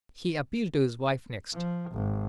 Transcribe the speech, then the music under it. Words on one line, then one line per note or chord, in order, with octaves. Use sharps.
He appealed to his wife next.
F3
G#1